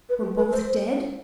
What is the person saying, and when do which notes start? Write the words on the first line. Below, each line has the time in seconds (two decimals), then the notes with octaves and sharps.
Were both dead?
0.09 B4
0.22 G4
0.36 B4
0.51 C5